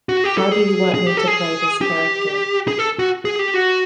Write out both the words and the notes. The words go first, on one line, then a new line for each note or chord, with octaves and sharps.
How do you want me to play this character?
F#4
G4
A4
G#4
G#4
G4
A4
G#4
G4
G#4
A4
F#4
G#4
G4
F#4